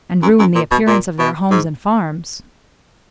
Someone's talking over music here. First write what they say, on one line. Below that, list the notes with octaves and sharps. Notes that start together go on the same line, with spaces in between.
"And ruin the appearance of their homes and farms."
F#2
F#2
A#2
B2
A#2
B2
G#2